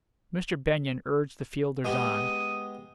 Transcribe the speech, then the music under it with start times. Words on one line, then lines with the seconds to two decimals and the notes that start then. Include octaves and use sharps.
Mr. Benyon urged the fielders on.
1.85 G#3 B3 G4 D#6